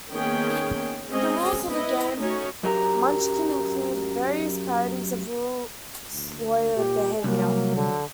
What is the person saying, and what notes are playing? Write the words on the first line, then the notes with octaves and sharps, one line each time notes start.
The rules of the game "Munchkin" include various parodies of rules lawyer behavior.
D#3 A#3 B3 C#4 G#4 G5
G#3 C4 C#4 G#4 D#5
B3 E4 B4 D#5
A3 C#4 D#4 F#4 C#5
F#2 F#3 G4 A#4 A#5
D2
A#2 G4
C2 F#3 A#3
D3